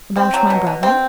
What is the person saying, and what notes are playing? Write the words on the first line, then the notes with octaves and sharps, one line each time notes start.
"About my brother?"
C4
F#3
B2
B2
C4